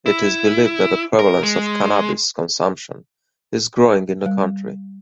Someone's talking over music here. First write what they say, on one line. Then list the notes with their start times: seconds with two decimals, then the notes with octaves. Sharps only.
It is believed that the prevalence of cannabis consumption is growing in the country.
0.06 E4
1.19 A#4
1.43 G#3
4.26 G3